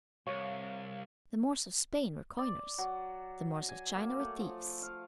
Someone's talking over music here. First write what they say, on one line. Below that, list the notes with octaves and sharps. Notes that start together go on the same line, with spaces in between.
The Moors of Spain were coiners, the Moors of China were thieves.
C2 C#5 F5
D5
F#3
G#5
A#3
A3
F3
F5